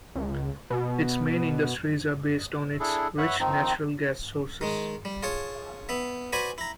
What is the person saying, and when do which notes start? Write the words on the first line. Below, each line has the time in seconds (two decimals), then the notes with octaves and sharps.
Its main industries are based on its rich natural gas sources.
0.16 C#2
0.70 B2
2.80 D4 E4 G#4 A4
3.18 B4 C#5 E5 F#5 F#6
3.40 D#3 F3 C4 D#4
4.61 D#3 G#3
5.05 G3
5.23 F4 G#4 C#5 A5
5.89 B3 E5
6.33 F#4 B4 C5 D5 G#5 B5
6.58 E4 A#5